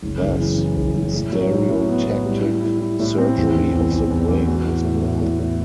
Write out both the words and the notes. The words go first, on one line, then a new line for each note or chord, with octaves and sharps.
Thus, stereotactic surgery of the brain was born.
F#1
F#1
E3
E3
F#1
F#1
A2
F#3
A2
A2
B3
A2
G3
E4
E4
E4
A2
C4
E2
E2
E2
E2
E2
E2
F#4
A2
A2
A2
A2
A2